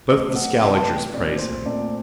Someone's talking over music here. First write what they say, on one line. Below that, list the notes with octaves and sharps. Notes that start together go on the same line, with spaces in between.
Both the Scaligers praise him.'
C3 F#3 A3 D#5
F#5
C3 F#3 A3 G5
A5
G5
A#2 A3 C4 D5
C5
A#2 A3 C4 D5